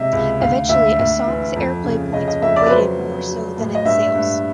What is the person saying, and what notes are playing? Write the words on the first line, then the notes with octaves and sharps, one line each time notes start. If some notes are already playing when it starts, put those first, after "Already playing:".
Eventually, a song's airplay points were weighted more so than its sales.
Already playing: C3 G#3 D#5 E5
C#2
D2 F5
D2 E5
D2
E3
F2
C#3
C#3 D#5
D#5
F2 E5
D5
B4
F#3 C5
F#3
F#3
A2
D#5
G2 E5
G2